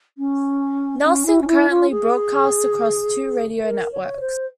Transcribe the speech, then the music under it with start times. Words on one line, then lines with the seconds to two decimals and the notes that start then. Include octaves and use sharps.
Nelson currently broadcasts across two radio networks.
0.18 C#4
1.04 C#4
1.26 E4
1.41 C#4
1.48 E4
1.69 F4
1.91 G#4
3.62 A#4
3.92 C#5
4.20 C5